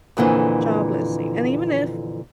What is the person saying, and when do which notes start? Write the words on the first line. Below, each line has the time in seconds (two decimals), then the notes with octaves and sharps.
job listing. And even if
0.17 F2 A#2 D3 E3